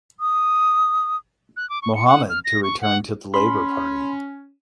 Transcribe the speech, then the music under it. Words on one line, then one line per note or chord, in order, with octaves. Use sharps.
Mohamed to return to the Labour party.
D#6
F#6
D6
C#6
C#7
F#5
F6
A#6
C#6
F#5
C#4 B5 C6